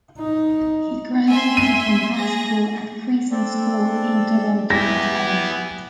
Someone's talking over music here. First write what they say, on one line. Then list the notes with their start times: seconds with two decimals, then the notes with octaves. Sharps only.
He graduated from high school at Crescent School in Toronto, Ontario.
0.19 D#4
1.26 E5 G#5 C6
1.57 D#7
2.13 G#4 A#6
3.31 C4 D4 A4
4.70 B3 E4 G4 G#5 A#6